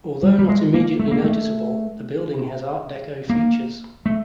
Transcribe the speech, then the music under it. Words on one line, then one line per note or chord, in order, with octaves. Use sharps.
Although not immediately noticeable, the building has Art Deco features.
G3
G3
G#3
A#3
A3
A#3
A3
A#3
A3